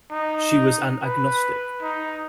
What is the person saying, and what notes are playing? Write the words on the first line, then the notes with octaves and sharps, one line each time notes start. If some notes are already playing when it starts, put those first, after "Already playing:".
She was an agnostic.
D#4
B4
D#4